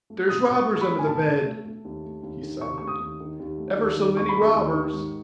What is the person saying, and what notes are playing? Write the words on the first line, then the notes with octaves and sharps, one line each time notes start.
"There's robbers under the bed," he sobbed; "ever so many robbers."
A3
B2 D#6
B2
C#6
A3
C#6
B5
A3
G#5
B2 A5
B2
A3
A3
D#2
A3
D#2
D#3
D#2 C#6
A3 C#6
D#6
D#2
D#3
D#2
A3
D#2
D#3
D#2 C#6
B5
A3
C#6
D#2
D#3
G#2